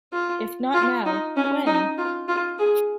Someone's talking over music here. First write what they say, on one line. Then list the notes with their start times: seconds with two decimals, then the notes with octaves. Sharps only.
If Not Now, When?
0.13 F4
0.74 F4
1.06 D#4
1.36 C#4
1.66 D#4
1.98 F4
2.28 F4
2.59 G#4